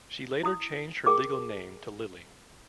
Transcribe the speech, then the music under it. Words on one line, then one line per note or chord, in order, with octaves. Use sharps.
She later changed her legal name to Lily.
E4 D#6
G#4 A#4 G5 D6